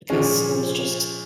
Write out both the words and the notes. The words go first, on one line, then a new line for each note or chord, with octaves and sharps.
because it was just
A#2 F3 G#3 C#4